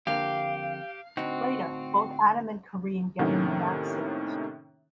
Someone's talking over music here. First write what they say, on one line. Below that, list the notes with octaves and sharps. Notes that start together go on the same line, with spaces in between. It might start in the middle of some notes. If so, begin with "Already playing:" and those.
Later, both Adam and Kareem get in an accident.
F2 D3 A#3 G4 F5
A2 D3 C4 D#4 F#4
A2 C3 D#3 A#3 C#4